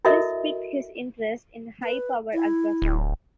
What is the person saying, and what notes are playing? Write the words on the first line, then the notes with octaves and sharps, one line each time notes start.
This piqued his interest in high powered ultrasound.
E4 F#4 A4 A#4 D#5 E5
B4
E4
D1